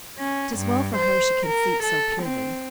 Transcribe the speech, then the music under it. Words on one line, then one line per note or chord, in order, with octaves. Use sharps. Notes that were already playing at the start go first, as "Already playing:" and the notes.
'Tis well for her she can sleep so purely.
C#4
G2
C5
A#4
A4
C4